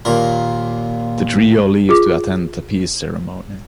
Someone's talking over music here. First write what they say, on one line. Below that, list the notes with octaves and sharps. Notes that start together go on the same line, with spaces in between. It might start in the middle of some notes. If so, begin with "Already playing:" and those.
The trio leave to attend the peace ceremony.
D#2 A#2 A#4
F4 G#4 D6